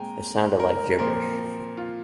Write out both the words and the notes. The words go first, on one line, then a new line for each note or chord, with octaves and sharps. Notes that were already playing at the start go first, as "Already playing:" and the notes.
It sounded like gibberish.
Already playing: A#2 G#3 C4 G5 G#5 A#5
A#4
A#2 F3 C4 A#4
F4